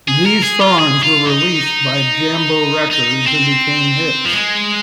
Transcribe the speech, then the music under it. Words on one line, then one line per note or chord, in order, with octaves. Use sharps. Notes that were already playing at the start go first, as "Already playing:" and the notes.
These songs were released by Jambo Records and became hits.
G#4
A#4
G#4
F4
G#4
F4
D#4
D#4
C4
F3
G#3